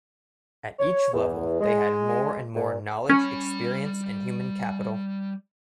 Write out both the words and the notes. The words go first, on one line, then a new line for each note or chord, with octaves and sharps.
At each level they had more and more knowledge experience and human capital.
C#5
E2
G#3
A#2
G3 C#4 B5